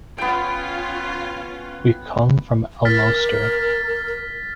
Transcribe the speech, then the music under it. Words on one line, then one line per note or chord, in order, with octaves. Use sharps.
We come from Almoster.
B3 C#4 F4 G5
A#4 F6 A6 B6